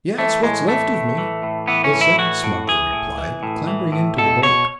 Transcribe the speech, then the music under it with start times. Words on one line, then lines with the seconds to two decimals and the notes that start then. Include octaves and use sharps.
"Yes, what's left of me," the sentenced smuggler replied, clambering into the boat.
0.18 E3 A3
0.43 A2 G#3
0.68 E3 A3
0.93 A2
1.18 E3
1.43 A2
1.68 E3 B3
1.84 C#4
1.93 A2
2.01 E4
2.18 E3 F#4
2.44 A2
2.68 E3 G#4
2.93 A2
3.18 E3
3.43 A2
3.67 E3
3.92 A2
4.18 B2 A4
4.43 B2 C#5